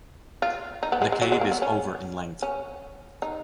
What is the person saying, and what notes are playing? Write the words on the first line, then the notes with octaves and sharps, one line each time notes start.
The cave is over in length.
F4
D#4
B3
G#3
G#3
F#3
G#3
A#3
B3
C#4
C#4
D#4